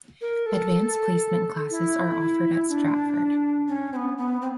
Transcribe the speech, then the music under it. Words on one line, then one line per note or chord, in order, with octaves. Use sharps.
Advanced Placement classes are offered at Stratford.
A#4
A4
E4
D4
C#4
C4
B3
B3
C4